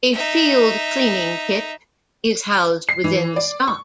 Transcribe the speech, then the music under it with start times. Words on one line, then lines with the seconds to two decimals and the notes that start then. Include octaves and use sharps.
A field cleaning kit is housed within the stock.
0.13 D#4 E5
2.89 C7
3.04 E3
3.36 D5
3.68 C#6